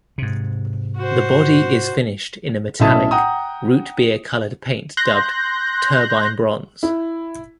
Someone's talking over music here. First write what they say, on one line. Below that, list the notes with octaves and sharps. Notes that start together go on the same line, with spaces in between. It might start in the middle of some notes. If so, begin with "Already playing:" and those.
The body is finished in a metallic, root beer-colored paint dubbed "turbine bronze".
G#2 C3
F#4 C5
B1 A2 C#4 E5 A5 D#6
F#5 G5 A#5 D#6
C6 F#6 G6 A#6
E4